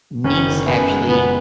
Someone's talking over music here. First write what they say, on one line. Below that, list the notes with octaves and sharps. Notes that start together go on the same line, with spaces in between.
niece actually,
F#1 C#4
D#3
F#2 B3
G#3
F#1 B3